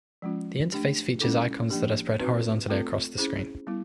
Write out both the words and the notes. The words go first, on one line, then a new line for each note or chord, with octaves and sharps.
The interface features icons that are spread horizontally across the screen.
F3 G#3 C#4 F4
A3 D4 G4
G#3 C#4 E4 A4
F3 A#3 D4 G4
C4 D#4 F#4 B4
A3 C4 F4 A4
C#4 E4 G#4 C5
G3 B3 E4